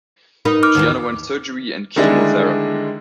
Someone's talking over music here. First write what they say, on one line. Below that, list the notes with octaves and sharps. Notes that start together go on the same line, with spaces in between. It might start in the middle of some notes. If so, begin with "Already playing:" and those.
She underwent surgery and chemotherapy.
D#4 A#4 B4
D6 F6
D#2 D#3 E3
D3 D#3 G3 G#3 D4 E4